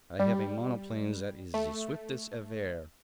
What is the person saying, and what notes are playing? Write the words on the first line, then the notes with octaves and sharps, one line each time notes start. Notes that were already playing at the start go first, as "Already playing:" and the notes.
I have a monoplane zat is ze swiftest evaire!
G3
A3